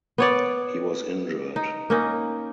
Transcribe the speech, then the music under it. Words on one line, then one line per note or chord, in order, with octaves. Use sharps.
He was injured.
B3 C#5 D5
D#4
A#3 C#4 D#4